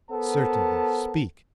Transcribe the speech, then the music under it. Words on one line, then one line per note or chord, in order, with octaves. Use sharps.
"Certainly, speak."
B3 A4 A#4 C5 F#5 A5